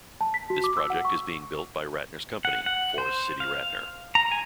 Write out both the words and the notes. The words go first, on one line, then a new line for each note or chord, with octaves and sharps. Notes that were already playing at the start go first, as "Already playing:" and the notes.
This project is being built by Ratner's company, Forest City Ratner.
A5
B6
F#4
D6
E6
F#5
C#6
F#5
F#5
C5
F5
A#5
G#5